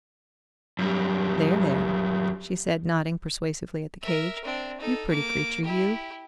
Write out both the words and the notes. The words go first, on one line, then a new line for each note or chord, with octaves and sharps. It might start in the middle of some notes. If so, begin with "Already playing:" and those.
There, there," she said, nodding persuasively at the cage, "you pretty creature you!
F#2 G3
A#4 E5
C4 D4
D#4 A4
A#3 D6
E4 G4